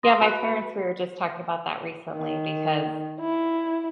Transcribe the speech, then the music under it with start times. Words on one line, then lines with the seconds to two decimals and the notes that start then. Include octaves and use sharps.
Yeah, my parents we were just talking about that recently because,
0.03 C6 D#6 A#6
0.21 F#4 B4
2.13 D#3
3.21 E4